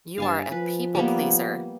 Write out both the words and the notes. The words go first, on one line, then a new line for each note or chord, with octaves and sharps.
You are a people pleaser.
G2 F5 G#5 A5
F3 B4
G3 A#3 B3